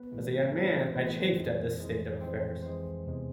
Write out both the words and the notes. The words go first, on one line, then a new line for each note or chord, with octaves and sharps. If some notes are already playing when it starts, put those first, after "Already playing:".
As a young man, I chafed at this state of affairs.
Already playing: B3 B4
A1 A2 E3 G#3
A1 A2 E3 G#3
C5
A1 A2 E3 G#3 B3 B4
C4 C5
F2 E3 G#3
F2 E3 G#3
F2 E3 G#3 C4 C5
F2 E3 G#3 C4 C5
E2 C3 E3 G#3